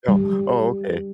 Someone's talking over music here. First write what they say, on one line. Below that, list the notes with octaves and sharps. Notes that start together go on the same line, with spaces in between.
Oh oh, okay.
G3